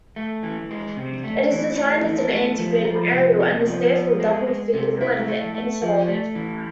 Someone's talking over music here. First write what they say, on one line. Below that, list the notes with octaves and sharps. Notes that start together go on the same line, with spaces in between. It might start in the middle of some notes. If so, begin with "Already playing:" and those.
It is designed as an antifading aerial and is therefore double-feedable and insulated.
A3
E3
G#3
C3
A3
E3
A3
E3
A3
F3
F3
C3
B3
F3
B3
G#3
G#3
C3
E4
A3
A3
F3
A3
E3